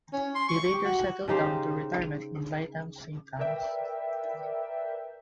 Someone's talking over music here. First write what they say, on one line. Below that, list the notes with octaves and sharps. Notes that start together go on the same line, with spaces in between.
He later settled down to retirement in Lytham Saint Annes.
C#4
C6
C#6
G4
F#4
C#3 D#4 G4 C5
A#4 B4 D5 E5 G5